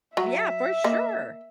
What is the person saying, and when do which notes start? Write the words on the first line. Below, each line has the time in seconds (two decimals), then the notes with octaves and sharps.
We Yeah, for sure.
0.17 F#3 E5
0.84 A#3 D#5